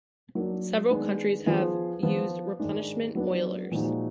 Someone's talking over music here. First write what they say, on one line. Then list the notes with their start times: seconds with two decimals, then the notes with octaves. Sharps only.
Several countries have used replenishment oilers.
0.35 F#3 A#3 D4
0.90 D#3 G#3 B3 D4
1.47 F3 B3 F4 G#4
2.03 F3 B3 F4
2.59 G#2 D#3 G#3 D4
3.15 F#3 B3 D4
3.71 A#2 F3 G#3 D#4 F#4